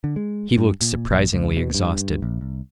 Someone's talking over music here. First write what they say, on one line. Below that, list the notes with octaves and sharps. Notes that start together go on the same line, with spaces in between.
He looked surprisingly exhausted.
D3
G#3
G2
A#2
A#1
C#2
B2
G2
A#1
C2